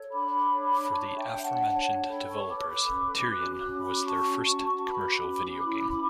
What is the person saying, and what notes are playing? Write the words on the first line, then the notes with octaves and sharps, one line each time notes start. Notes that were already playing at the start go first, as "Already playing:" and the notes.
For the aforementioned developers, "Tyrian" was their first commercial video game.
Already playing: A4 C#5
D4 B5 D6
C#5
C#5 A5 C#6
E5 G5
D4
F#5 A5
C#5 F#5 A5
A4 G5 B5
A5 C#6
B4 B5 D6
C#4
F#4 D6 F#6
D6 F#6
C#4
B5 D6
F#4 A5 C#6
F#4
B4 B5 D6
C#4
E4